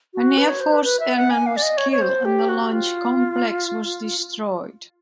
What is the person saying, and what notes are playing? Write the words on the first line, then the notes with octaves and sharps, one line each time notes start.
An Air Force airman was killed and the launch complex was destroyed.
F#4
B4
C#5
C5
B4
B4
E5
F#5
G#5
F5
D5
D#5
C#5
C#5
C5
G4
F#4
F4